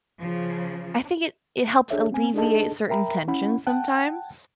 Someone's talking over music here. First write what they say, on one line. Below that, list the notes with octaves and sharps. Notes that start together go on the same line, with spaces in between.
I think it it helps alleviate certain tensions sometimes
C#3 F3
D4 G#4 A4 C#5 E5
B3 C4 G#5
D4 D#4 G#4 A4 D#5 A5
A#4 E5 G5 A#5 B5
C#4 E4 F#5 B5
F#5 G5 A5 F#6